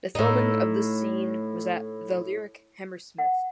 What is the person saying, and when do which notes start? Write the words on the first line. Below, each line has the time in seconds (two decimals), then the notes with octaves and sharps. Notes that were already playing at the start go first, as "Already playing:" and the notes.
The filming of this scene was at The Lyric Hammersmith.
0.15 A2 D#4
3.18 F#5